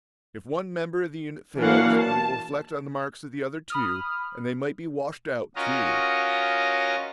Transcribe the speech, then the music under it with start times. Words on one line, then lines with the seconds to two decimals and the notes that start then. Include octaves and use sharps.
If one member of the unit fails, it will reflect on the marks of the other two and they might be washed out too.
1.56 E3 F#3 A#3 D4 F5 F#5
1.95 A5
3.70 B5 D#6 F6
5.56 C#4 F4 F#4 A#4 D#5 A#5